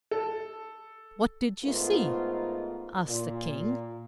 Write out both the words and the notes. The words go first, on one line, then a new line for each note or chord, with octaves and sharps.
"What did you see?" asked the King.
A4
G#2 A3 B3 F4 A#4 D#5
A#2